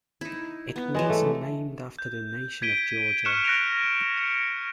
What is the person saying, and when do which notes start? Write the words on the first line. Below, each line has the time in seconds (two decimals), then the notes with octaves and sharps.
It was named after the nation of Georgia.
0.21 D#4 E4
0.76 B3
0.94 E3 F#3 G#3 F#5
1.10 A3
1.99 G6
2.62 G#6 B6 D7 D#7 G7
3.25 C#6 F6 F#6 C#7 E7
3.44 F#6 A#6 D7 F7
4.17 C#7